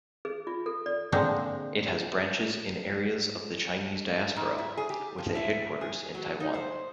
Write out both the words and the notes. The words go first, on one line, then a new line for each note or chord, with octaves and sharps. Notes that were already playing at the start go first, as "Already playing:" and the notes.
It has branches in areas of the Chinese diaspora, with a headquarters in Taiwan.
G#4
F4
A4
D5
A#2 D3 F3 G#3 C4 D4
G#2
E4
G#4
G4
F3
E4
G#4
F#3
D#4
C5